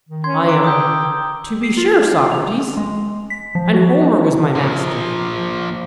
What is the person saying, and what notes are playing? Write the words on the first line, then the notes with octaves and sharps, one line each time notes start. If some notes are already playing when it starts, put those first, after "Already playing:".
ION: To be sure, Socrates; and Homer was my master.
D#3
C#4 C6 G#6
B4 A#5 D6 D7
G5 D#6 E6 G6
C7
F4
F7
G#3
B6
F3
F#4
A#2 F3